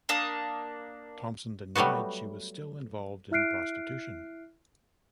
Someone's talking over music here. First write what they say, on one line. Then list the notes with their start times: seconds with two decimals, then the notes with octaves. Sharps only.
Thompson denied she was still involved in prostitution.
0.09 A#3 D4 A5 D#6
1.75 F#3 G3 A3 B3 F#4
3.31 E4 E5 F6 F#6 C7 D7